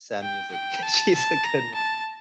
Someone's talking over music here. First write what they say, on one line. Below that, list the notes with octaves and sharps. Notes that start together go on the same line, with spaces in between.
sad music, she's a good one.
G5
G5
A5
A5
A#5
A5